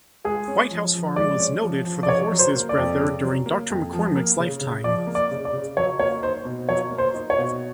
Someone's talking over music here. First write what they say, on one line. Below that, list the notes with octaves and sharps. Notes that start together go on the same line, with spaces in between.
White House Farm was noted for the horses bred there during Doctor McCormick's lifetime.
G#3 G#4
C#4
F3
F3
G#3 D5
C#4
F3
F3
D5
C#3 C#5
F#3
C5
A#3
D5
F2
C#3
F#3
A#3
F2
F3
A#3
C#3
C#3
F3 D5
A#3
D5
C#3
D5
C#3
F#3 C#5
A#3 C#5
D#4 C5
B2
F#3 C#5
A#3
C5
D#4
C#5
B2